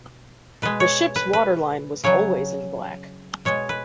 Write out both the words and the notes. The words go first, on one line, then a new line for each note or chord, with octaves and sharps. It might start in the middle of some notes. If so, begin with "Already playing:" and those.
The ship's waterline was always in black.
Already playing: B2
B2 G#3 B4
C#5
B4
B4
C#3 F#3 C#5
B2 G#3 C#5
B4